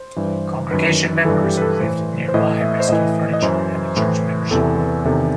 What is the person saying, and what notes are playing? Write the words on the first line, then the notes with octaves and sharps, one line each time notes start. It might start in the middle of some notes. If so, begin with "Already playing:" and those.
Congregation members who lived nearby rescued furniture and the church membership book.
Already playing: C5
G2 E3
F#2 D#3 B4
G2 E3 A4
G4
B4
A4
A2 E3 C5
C5
A2 E3 D#5
E5
C5
A2 E3 D#5
D#5
F#2 E3 C5
A2 E3
E2 C3 E3 A4
E2 C3 D#3 A4